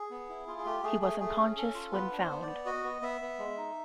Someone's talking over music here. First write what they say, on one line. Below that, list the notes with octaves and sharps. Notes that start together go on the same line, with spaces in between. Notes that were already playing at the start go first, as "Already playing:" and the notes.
He was unconscious when found.
Already playing: G#4
B3
E4
F4
G#4
A3 G4
A3 G#4
A3 G#4
A3 G#4
C#4
C#4 A4
F4
B3 B4
D4
C5
B3
B3 D5
F#4 D#5
B3
B3 E5
B3
G#3
D#4